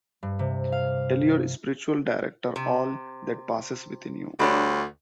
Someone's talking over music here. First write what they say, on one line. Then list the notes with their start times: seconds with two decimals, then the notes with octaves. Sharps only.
Tell your spiritual director all that passes within you.
0.23 G2
0.39 C3
0.72 F5
2.56 C3
4.39 D2 G3 D4 C#5